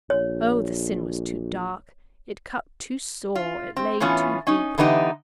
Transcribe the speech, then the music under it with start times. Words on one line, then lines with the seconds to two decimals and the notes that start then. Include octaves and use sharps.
Oh, the sin was too dark; it cut too sore; it lay too deep.
0.10 A#1 C#5
3.35 F4
3.76 C4
4.00 A2 E3 B3 C#4 F4
4.47 C#4 D#4
4.78 D3 E3 B3 D#4 G4